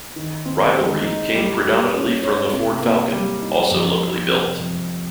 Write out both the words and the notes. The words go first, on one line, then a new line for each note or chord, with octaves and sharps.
Rivalry came predominantly from the Ford Falcon—also locally built.
D#3
C4
G#3
D#4
G3
G4
C#4
C#5
C3
A#3
G3
D#4
F2
F3
C3
F2